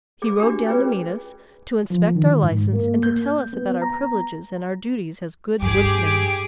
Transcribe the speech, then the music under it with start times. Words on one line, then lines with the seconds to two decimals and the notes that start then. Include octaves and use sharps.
He rode down to meet us, to inspect our license and to tell us about our privileges and our duties as good woodsmen.
0.22 G#4 D6
0.39 D4 F#4 G4
0.67 C#4 F4 G#4 B4 D5
1.90 F3
2.15 D#3
2.43 G#2
2.73 A#3
3.03 G6
3.53 B3
3.82 A#5
5.62 G2 G4 G#4 D6